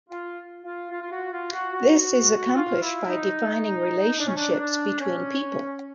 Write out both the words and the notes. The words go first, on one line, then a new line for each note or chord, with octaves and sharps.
This is accomplished by defining relationships between people.
F4
F4
F4
F4
F#4
F4
F#4
F#4
F4
E4
D#4
D4
C#4
D4
D4
C#4